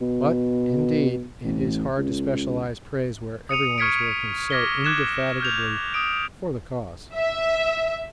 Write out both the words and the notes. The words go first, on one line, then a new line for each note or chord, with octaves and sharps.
But, indeed, it is hard to specialise praise where everyone is working so indefatigably for the cause.
B2
A1
C#2
D#6 C#7 D#7 F7
C#6 F6 G#6 B6 C#7 D7
D6 F6 G#6 A#6 B6 G7
D6 F#6 G#6 E7
F6 G6 F7
D#6 D7
E5